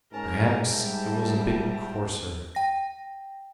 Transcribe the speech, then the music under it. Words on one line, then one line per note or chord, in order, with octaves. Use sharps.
Perhaps it was a bit coarser.
G#2 C#4 A#4 A5 A#5
G3 E5 G5 A5 A#5
G5 A#6